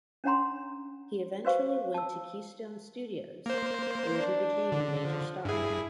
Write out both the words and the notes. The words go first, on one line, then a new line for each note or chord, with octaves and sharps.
He eventually went to Keystone Studios, where he became a major star.
C#4 D4 C#5 F#5 A#5 C6
F#4 B4 C5 F5 C#6
A5 E6
A#3 C5
D4
D3
F3
G2 E4 G#4